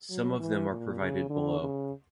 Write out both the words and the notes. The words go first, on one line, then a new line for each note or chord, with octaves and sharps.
Some of them are provided below.
F#3
E3
A#2
C#3
D3
C#3